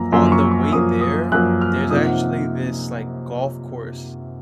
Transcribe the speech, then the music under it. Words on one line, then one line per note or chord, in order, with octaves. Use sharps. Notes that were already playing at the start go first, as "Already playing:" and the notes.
on the way there, there's actually this, like, golf course,
Already playing: F#2 F3 A#3 A#5
F#2 F3 A#3 C6
C#6
C#6
F#2 F3 A#3 D#6
D#6
F#2 F3 A#3 F#6
F6
C3 F3 A#3 D#4 D#6
F#5